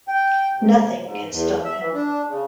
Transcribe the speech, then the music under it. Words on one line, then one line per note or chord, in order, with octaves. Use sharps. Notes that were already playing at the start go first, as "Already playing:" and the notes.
Nothing can stop him.
G5
C3
G#2
E2
E5
E3
D4
C#3